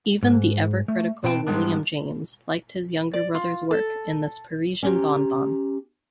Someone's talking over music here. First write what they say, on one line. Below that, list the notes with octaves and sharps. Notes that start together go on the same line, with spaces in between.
Even the ever-critical William James liked his younger brother's work in this Parisian bonbon.
G#2
A3
B2 B3 C4 G5 A5
G#2 F3 G3 G#3 B3 D4
D5
F4
A4
C#4 G4 A#5